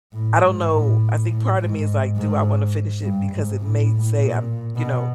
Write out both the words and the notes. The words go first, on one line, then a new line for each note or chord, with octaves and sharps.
I don't know, I think part of me is like, "Do I wanna finish it," because it may say I'm, you know
A2
G#2
A2
A2
G#2
G#2
G2
G#2
A2
A#2
B2